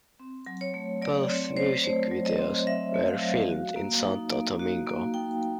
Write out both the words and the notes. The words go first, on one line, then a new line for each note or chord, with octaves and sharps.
Both music videos were filmed in Santo Domingo.
C4
F#3
C#5
A3
F#3 D5
C4 C#5
F#3 C5
A3 C5
F#3
D#5
C4
F#3 E5
A3
F5
F#3
F#4
A#3
D#4
A#3
F#4
A#3
D#4 G5
A#3